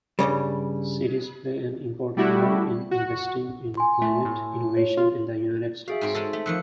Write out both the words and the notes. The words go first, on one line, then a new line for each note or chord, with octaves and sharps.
Cities play an important role in investing in climate innovation in the United States.
G2 A#2 C#3 G3
G3 A3 E4 F#4 G4
F#4
G#5 C6
A3
A2
C#5
F4
F#4 G#4 E5 F5
G#2 C4 C#5
G#3 C4 A4
A3 E5
F2 D#3 F3 E6 F#6 C#7